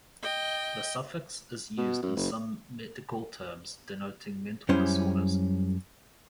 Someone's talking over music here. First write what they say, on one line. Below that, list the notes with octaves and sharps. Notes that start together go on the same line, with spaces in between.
The suffix is used in some medical terms denoting mental disorders.
D#5 G5
B2
F#2
F#1
F#2 G3 C#4 E4 C5